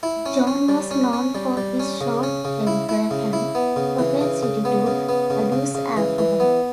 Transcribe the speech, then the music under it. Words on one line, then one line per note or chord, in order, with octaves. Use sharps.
John was known for his short temper and propensity to abuse alcohol.
E4
C#4
C#4
G3
C#4
C#4
G3
G3
C#4
C#3
C#4
C#3
E4
E4
C#3
E4
B3
C#3
E3
C#3
C#3
B3
C#3
B3
C#3
C#3
C#3
E3
E3
B3